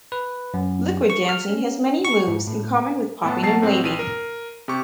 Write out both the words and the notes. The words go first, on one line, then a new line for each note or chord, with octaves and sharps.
Liquid dancing has many moves in common with popping and waving.
B4
F#2
C#6
F6
C#4
C#6
G#2
A2
A2 B3 A5
B2 F#3 A5 C7
A2 C4
A#1 D#7
A#4
C3 G4 C#6